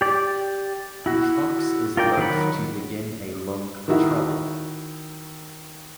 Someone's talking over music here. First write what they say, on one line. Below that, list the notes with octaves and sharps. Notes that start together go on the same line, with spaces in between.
The fox is loath to begin a long patrol.
G4 D5
E4 F#4
F4 A#4 D5 G5
D#3 F#3 A#4 F#5 B5
D#3 D#4 E4 F#4